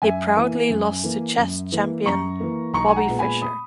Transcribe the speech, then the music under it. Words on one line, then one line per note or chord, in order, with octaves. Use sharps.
He proudly lost to chess champion Bobby Fischer.
F#2 E5 G#5
E3 A#3
F#2
E3 A#3
F#2
E3 A#3
F#2 A#5 C#6
E3 A#3
B1 A#5 C#6
G#5
F#5 A#5
A#2 G#3 B3
G#5 B5
B5 D#6